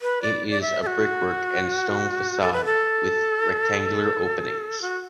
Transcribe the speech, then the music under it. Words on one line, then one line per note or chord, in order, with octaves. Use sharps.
It is a brickwork and stone façade with rectangular openings.
B4
D5
D5
E5
A4
F#4
A4
B4
A4
F#4